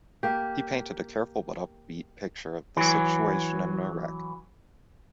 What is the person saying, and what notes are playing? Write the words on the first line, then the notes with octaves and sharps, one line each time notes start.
He painted a careful but upbeat picture of the situation in Iraq.
A#3 G4
E3 F#3